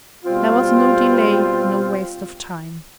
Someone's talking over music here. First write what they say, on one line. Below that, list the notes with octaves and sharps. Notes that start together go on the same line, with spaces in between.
There was no delay, no waste of time.
B2 G3 C4 F4